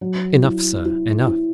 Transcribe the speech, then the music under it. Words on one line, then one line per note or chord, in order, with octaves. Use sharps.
Enough, sir, enough.
F#3
E4
E4
E4